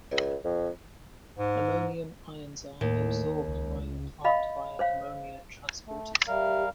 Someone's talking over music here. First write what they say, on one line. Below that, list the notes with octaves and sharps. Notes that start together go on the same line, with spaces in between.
Ammonium ions are absorbed by the plant via ammonia transporters.
C#2
F2
G#2
D#2 A2
C#2
D#5 F5 B5
C5 C#5 F5
A3
G3 G4 A#4 E5 F5